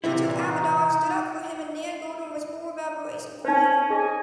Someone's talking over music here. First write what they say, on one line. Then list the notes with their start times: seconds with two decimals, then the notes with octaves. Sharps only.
Richard Avedon stood up for him and Nan Goldin was full of admiration for him.
0.04 C3 E3 E4 G4
0.24 A#2
0.47 D#4
3.45 C#4 D#4 C5
3.90 G#4 D#5 G#5